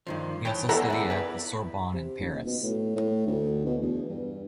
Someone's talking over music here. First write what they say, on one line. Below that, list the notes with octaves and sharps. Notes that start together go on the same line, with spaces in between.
He also studied at the Sorbonne in Paris.
G2 D#3 F3
E3 C#5 G5 A5
E2 E4 G#4 A4 D5 F#5 A#5
E4 D5
B4 D5
C3
D#1
B2
A2
A2
D2
B2
E2
G2